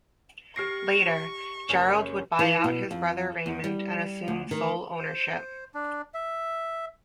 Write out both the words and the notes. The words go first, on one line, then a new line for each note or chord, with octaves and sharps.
Later, Gerald would buy out his brother Raymond and assume sole ownership.
G4 C#6 F6 A#6 C7 D7
F#1 C#4
E3
B2
F2
E2
G3
D2
D#3
C5
D4
E5